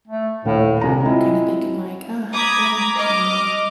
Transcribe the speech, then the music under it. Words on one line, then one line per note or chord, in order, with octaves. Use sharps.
kinda thinking like, "Uh, well," I mean,
A3
D#1 A2 A3 F5
C2 C3 A#5
G#3 C4 E4 F4
A#5 B5 D6 D#6 G#6
D#5 D6 F6